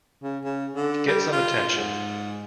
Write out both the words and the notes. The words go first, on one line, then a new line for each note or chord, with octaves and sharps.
Get some attention.
C#3
C#3
D3
G3
F4
G#2